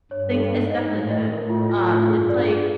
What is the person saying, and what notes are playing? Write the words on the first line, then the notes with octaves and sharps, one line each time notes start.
they It's definitely hidden. Um, it's like
G2 C#5
A4
G#2 G5
D#5
A2 G5
D#5
A2 A#4
F4
A2 F4
F4
G2 G#4
D5
G#4